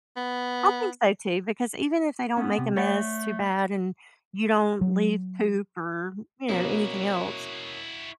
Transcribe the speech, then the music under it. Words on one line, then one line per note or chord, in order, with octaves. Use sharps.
I think so, too, because even if they don't make a mess too bad, and you don't leave poop or, you know, anything else,
B3
B3 C#4
C3
A3 C#5 D5 F#5
F#3
B2 A#3 C#4 E4 F#4